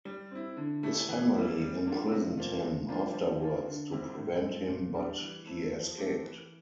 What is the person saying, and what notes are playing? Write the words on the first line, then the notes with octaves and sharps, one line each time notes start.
His family imprisoned him afterwards to prevent him but he escaped.
G3
C4 E4
D3
A3 E4 G4
E3
G3 A#3 E4
G3
A#3 D4 F4
C3
F3 A#3 F4
C3
F3 A#3 D4 F4
F3
A#3 F4
D3
G3 C4 E4 G4
A2
F3 C4
A#2
G3 D4 G4
E3
A3 C4 E4
F3
A3 C4 G4
E3